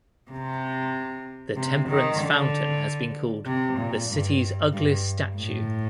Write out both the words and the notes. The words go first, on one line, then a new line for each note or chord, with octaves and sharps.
The Temperance Fountain has been called "the city's ugliest statue".
C3
C3
D#3
D3
C3
A#2
G2
G2
A2